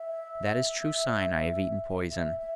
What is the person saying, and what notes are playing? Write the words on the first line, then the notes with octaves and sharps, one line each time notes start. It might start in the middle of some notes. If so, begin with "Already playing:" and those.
That is true sign I have eaten poison....
Already playing: E5
E5
E5